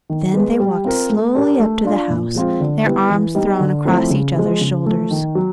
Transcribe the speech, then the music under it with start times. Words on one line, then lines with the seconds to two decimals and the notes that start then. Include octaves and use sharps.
Then they walked slowly up to the house, their arms thrown across each other's shoulders.
0.10 D#3
0.34 G#3 B3
0.60 G3
0.85 C4 F4 A#4
1.09 A3
1.35 D4 G4 A#4
1.59 A3
1.85 D4 F4
2.10 A#2
2.35 F3 G#3 C4 F4
2.60 D3
2.85 G3 B3 E4
3.10 E3
3.35 G3 B3 D#4
3.60 D3
3.85 F3 A3 C4 E4
4.10 C#3
4.35 F3 G#3
4.61 C#3
4.86 F3 A3
5.11 D#3
5.35 F#3